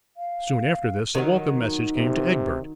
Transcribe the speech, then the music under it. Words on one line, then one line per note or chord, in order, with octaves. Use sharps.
Soon after this a welcome message came to Egbert.
F5
D#3 F#3
C3